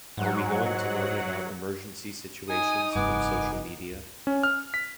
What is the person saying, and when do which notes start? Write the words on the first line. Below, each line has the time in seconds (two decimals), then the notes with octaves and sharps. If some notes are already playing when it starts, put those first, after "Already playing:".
Are we going to learn about emergency situations from social media?
0.17 G#2 F#3 F#5
2.49 D#4 G#5 D#6
2.95 F1 G2 B3 G#5 D6
4.27 C#4
4.43 F6
4.74 B6